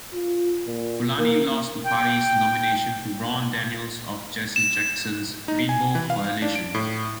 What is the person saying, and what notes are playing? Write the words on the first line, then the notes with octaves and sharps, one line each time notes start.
Fulani lost the party's nomination to Ron Daniels of Jesse Jackson's Rainbow Coalition.
F4
A#2
A#3
G5
E7
D#4
G#5
E3
F5
D4
D7
A2